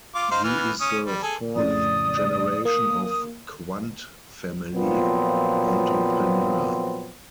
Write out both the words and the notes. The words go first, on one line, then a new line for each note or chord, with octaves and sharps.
He is the fourth generation of Quandt family entrepreneurs.
F4 D6
D#4 C5 F5
E3 B3 F6
C#4 D#6
G3
G#4 A4
F2 A2 C#3 D5 D#6
A#3 D#6
A#2 F3 F#3 B3 C4